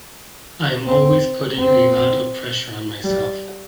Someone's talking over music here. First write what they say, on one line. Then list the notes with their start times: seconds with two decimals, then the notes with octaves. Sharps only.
I'm always putting a lot of pressure on myself.
0.87 C4
1.60 C4
3.04 G3